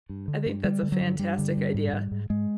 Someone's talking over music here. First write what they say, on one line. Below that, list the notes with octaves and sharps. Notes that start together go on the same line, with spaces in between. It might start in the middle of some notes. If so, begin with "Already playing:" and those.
I think that's a fantastic idea.
G2
D3
G2
D3 G3
D3
F#3
G2
G2 G3
D3
G2
G#2
G#2
G#2
G#2 G#3